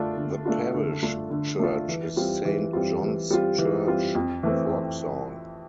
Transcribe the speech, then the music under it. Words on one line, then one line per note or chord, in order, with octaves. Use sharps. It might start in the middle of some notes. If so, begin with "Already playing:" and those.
The parish church is Saint John's Church, Wroxall.
Already playing: D3 A3 D4 F4
D3
A3 D4 F4
D3
A3 D4 F4
D3
A3 D4 F4
E3
G3 C4 F4
E3
G3 C4 F4
E3
G3 C4 F4
E3
G3 C4 F4
F2
E3 A3 C4